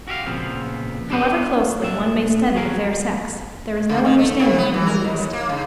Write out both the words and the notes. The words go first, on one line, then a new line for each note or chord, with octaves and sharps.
However closely one may study the fair sex, there is no understanding them in the least.
F#4 G4 E5 F5
A#2 C#3 F3 B3 C4
D4 G4 A4 C5 C#5 D#5
A#2 D4 E5
F#4 G#4 A#4
C#3
D#3
A3
C3
B3
E3
A#4
D#2
A#3
C#3